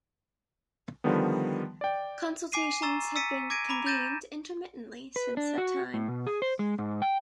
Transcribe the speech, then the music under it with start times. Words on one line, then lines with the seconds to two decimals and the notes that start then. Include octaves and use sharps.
Consultations have been convened intermittently since that time.
1.04 D3 D#3 F3 G3 B3
1.81 D5 G5
2.52 G#5 D6 C7 D#7
2.82 A#5 C#6 E6 A6 E7
3.16 E6 A6 B6 C#7 D#7
3.50 D6 G#6 A#6 D7 D#7
3.69 A#5 B5 D6
3.86 G6 A6 A#6 D#7 E7
5.16 B4
5.37 D4
5.58 F#4
5.94 A2
6.08 B2
6.27 G#4
6.42 C5
6.59 G#3
6.79 G#2
7.02 G5